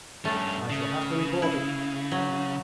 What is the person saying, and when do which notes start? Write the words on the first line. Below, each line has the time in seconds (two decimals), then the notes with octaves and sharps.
"I shall have to report it."
0.25 G2 A3 C#4
0.70 C#3
1.42 E4
2.12 F#3